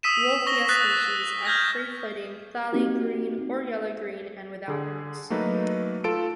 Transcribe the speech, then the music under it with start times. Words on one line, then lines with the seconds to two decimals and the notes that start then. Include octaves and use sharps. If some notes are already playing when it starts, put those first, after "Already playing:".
"Wolffia" species are free-floating thalli, green or yellow-green, and without roots.
0.03 D#6 E6 B6 D#7 E7
0.47 C#6 A#6 G7
0.69 D#6 F#6 A6 B6
1.45 F6 G6 G#6 A#6
2.73 A#3 C4 D#4 F#4 G4
4.68 D3 G#4
5.30 F#3 A3 A#3 D#4 B4
6.04 F4 A4 E6 D7